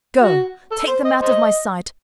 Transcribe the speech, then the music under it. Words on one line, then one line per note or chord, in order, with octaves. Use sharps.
Go, take them out of my sight!
F#4
A4
C5
D#5
C5 D#5